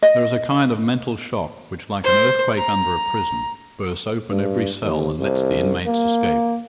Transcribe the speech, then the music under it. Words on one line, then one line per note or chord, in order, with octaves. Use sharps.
There is a kind of mental shock which, like an earthquake under a prison, bursts open every cell and lets the inmates escape.
D#5
C5
A#5
G2
D#2
C2
A#3